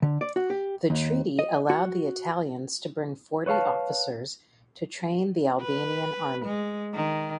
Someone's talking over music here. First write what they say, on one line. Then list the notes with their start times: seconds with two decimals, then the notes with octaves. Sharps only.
The Treaty allowed the Italians to bring forty officers to train the Albanian army.
0.02 D3
0.21 D5
0.36 F#4
0.50 G4
0.90 D#2
1.39 D#5
1.70 F#4
3.46 B4 C#5 E5 F5 A5
5.61 B4
6.45 G#3
6.94 D#3